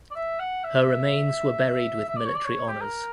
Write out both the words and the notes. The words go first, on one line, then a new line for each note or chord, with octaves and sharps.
Her remains were buried with military honors.
D5
E5
F#5
E5
E5
D5
C#5
D5
C#5
G4
A#4